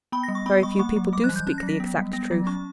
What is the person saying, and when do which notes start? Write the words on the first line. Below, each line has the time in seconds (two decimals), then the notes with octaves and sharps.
'Very few people do speak the exact truth.
0.12 B3 B5
0.23 A#6
0.28 G3
0.35 C#6
0.46 B3 B5
0.62 G3 C#6
0.79 A#3 C#6
0.96 F#3
1.13 G3 D6
1.24 F#6
1.29 E3
1.36 G6
1.47 C#4 F#6
1.58 A#6
1.63 F#3
1.68 B6
1.80 B3
1.97 G3
2.13 B3 A#6
2.31 F#3
2.47 C#4 C#6